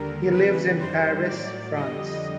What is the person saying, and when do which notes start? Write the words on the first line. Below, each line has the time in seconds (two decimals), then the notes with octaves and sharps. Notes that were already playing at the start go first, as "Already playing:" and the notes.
He lives in Paris, France.
Already playing: D#2 D3 G3 A#4
0.31 E2 C#3 E3 G3 B4
0.79 F#2 D#3 G3 C5
1.27 A2 F#3 D5
1.75 F2 D3 G3 D#5